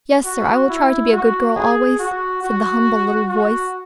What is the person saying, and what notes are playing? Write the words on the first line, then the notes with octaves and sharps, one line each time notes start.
"Yes, sir, I will try to be a good girl always," said the humble little voice.
F#4
E4
F#4
G#4
F#4
F#4
F#4